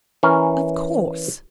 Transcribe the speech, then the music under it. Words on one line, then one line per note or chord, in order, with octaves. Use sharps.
"Of course."
E3 C#4 A#4